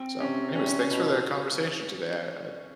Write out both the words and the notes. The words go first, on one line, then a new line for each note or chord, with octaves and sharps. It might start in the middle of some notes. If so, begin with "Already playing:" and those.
So, anyways, thanks for the conversation today. I I
Already playing: C4
C3 C#4
C#4
C#4
C#4
B2